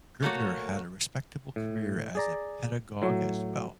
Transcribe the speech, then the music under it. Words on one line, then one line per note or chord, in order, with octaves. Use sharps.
Gertler had a respectable career as a pedagogue, as well.
A3 A#3 F#4 C#5
A2
G#4 D5 A#5
A2 F#3